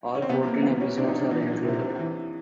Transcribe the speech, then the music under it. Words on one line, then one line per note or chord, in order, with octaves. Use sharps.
All fourteen episodes are included.
C#4
C4
C3 B3
A#3
E3 B3
C#4
C3 D4
D#4
D4
E3
C3
E3